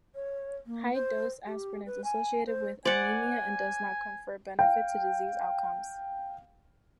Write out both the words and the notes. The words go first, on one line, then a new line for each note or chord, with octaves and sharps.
High-dose aspirin is associated with anemia and does not confer benefit to disease outcomes.
C#5
A#3
C5
G4
B4
G#5
C5
C5 D5 F#5 G#5
F5 G5